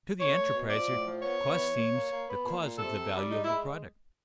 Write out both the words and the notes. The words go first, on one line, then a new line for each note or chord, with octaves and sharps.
To the enterpriser, cost seems the cause of the value of a product.
B2 C#5
A3
B2
F3 D5
A2
F3
B3 C#5
B3
E3
A#2
A#3
A#3
B3
A#2
A#2
C3 A4
C3
G3
G#3 D#4
E4
G#3